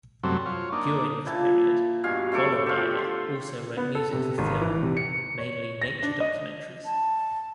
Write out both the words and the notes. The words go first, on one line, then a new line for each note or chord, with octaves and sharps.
During this period, Vollenweider also wrote music for film, mainly nature documentaries.
F#2 C3 F#3 G3 A3 C4
F4 C#5
A#3 D4 D#4
A#2 E4 A5
G2 B2 F5 G#5
F#2 A3 A4 D6
F4 G4
C6
B3
A4
C3
G#1
E3
C3
C#7
C#5
A#6
D4
D#5
A5